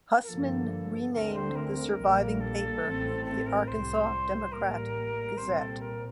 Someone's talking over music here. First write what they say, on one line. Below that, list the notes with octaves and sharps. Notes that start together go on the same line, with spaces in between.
Hussman renamed the surviving paper the Arkansas Democrat-Gazette.
A#4
G2 D3 F3 A#3 A4
D2 D3 A3 C4 A#4
C5
A#4
A#1 A#2 G3 A#3
A4
A1 A2 A3 C4
A4
A#4
C2 C3 G3 C5
A1 A2 G3 A#3 A#4
C2 A#2 G3 C4 C5
A4
A#4